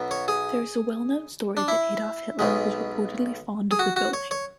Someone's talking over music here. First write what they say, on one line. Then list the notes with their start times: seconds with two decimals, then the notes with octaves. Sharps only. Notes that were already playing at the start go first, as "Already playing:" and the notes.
There is a well-known story that Adolf Hitler was reportedly fond of the building.
Already playing: B1 B2 F#3 B3
0.11 C#5
0.28 G#4
1.57 D4
1.68 E4
2.39 B1 B2 G#3
3.71 G#4
3.79 F#4
3.96 F#4
4.13 C#5
4.31 C#5